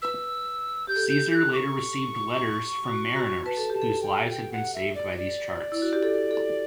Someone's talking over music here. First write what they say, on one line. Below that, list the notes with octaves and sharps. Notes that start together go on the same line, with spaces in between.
Caesar later received letters from mariners whose lives had been saved by these charts.
B4 E6
G4 G6
A4
G4
G6
G6
F#6
D6
C#6
F#4
F#4
B4 A5
A4
G4 A5
A4
G5
G5
F#5
E5
D5
D5
E4
F#4
G4
A4
A4